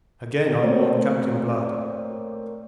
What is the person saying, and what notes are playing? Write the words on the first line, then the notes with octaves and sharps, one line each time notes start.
Again I warn Captain Blood.
A3 A#3 C4 C#5 D5